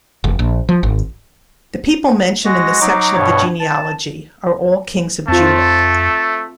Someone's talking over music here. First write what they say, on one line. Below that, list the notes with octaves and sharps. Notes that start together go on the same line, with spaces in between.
The people mentioned in this section of the genealogy are all Kings of Judah.
F1
A#1
F3
G#1
G#3 F#4 A#6
F#3 D#4 D6
G2 B2 C#5
A5
F2 A3 C4 F4 A5